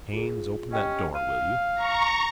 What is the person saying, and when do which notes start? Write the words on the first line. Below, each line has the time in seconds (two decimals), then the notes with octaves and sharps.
Haines, open that door, will you?
0.13 F4 G#4
0.72 C#4 G4 D#5 G5
1.15 F5 D#7
1.75 A#5 C#6